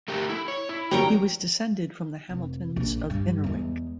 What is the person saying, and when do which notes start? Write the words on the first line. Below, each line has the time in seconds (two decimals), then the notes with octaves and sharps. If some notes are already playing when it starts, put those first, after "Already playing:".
He was descended from the Hamiltons of Innerwick.
0.08 A3 G4 A#4
0.29 E4
0.48 C#5
0.69 E4
0.91 F2 F#3 G3 A#4 C#5 G5 A#5
2.29 F1
2.76 A#1 D4
3.10 G2
3.44 E2 G#3